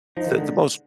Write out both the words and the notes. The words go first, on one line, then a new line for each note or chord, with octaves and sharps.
the the most
F3 D#4
D#3
G#3
D3